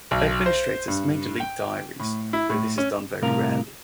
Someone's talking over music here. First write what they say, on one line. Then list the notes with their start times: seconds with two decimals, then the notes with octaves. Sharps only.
Administrators may delete diaries, though this is done very rarely.
0.11 B1
0.46 C5
0.88 G2
1.40 G5
2.00 A2
2.33 E4
2.50 A2
2.78 C#4
3.22 C2 A2 C3 A#4 F5